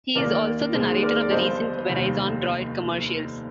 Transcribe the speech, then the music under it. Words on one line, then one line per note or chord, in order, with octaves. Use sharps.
He is also the narrator of the recent Verizon Droid commercials.
D#2 D#3 A#3 A#4 D5
D#2 D#3 G#3 C4
A#4 D5
D5
G1 G2 F3 C5 D#5
F1 D#2 D#3 G3